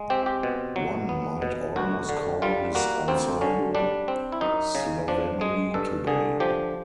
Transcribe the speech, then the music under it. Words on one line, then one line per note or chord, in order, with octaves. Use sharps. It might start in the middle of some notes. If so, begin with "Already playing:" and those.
One might almost call his ensemble slovenly today.
Already playing: G#3
C4 G4
G4
B2
F#3
B3
B2
D2 F#4
D3
G3 F4
A#3 F#4
D2 C4
D3 C#4
G3 D4
C4
E4
F#2 D#4
C#3
F3 D4
G#3 G#4
G2 A4
D3 G#4
F3 G4